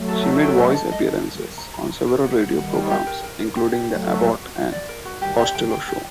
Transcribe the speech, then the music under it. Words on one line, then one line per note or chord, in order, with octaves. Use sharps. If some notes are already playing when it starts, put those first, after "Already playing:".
She made voice appearances on several radio programs, including the "Abbott and Costello Show".
Already playing: F#3 A3
A4
D#4
G5
D#5
A4
D#5
A4
A#4
A#4
A#5
A#5
A#5
A#4
F#5
F#5
D#3 G3 F#5
A#4
G4
A#4
A#4
A#4
G4
G4
F#3 A3 F#4
F#4
F#4
F#4
F#4
D5
A#4
F#4
D#3 G3 G4
G4
D3 F#3 G5
G5
G4